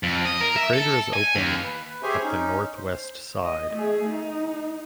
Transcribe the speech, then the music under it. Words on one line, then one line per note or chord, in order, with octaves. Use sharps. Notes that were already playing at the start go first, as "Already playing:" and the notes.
The crater is open at the northwest side.
F2
D#5
A#4
E5
A4
G#5
D#2
B4
G4 G#4 C5 C#5 E5 G#5
C#4 D#4
C5
D#5
A3 G#4
D#4